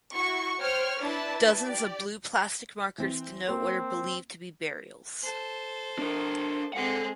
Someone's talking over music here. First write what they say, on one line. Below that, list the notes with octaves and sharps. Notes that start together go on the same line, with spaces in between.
Dozens of blue plastic markers denote what are believed to be burials.
E4 F#4 C#6
C5 C#5 G5 F6
D4 E4 B4 A5
G4 D5
E3 C4
A#3 C4
A4 C5
D4 A#4
G#3 C4 A4 F#5